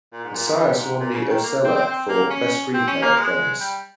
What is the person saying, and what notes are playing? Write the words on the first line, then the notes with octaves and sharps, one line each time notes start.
Assayas won the Osella for Best Screenplay at Venice.
A#2
G#2
A#2
G#2
G2
G#2
A#2
C#3
D#3
A#3
C4
C4
C4
A#3
C#4
C4
C#4
A#3
G#3
G3